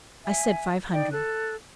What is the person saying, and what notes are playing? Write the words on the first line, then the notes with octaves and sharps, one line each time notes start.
"I said five hundred."
E5 G#5
D#4 D5 G5
A4 F#6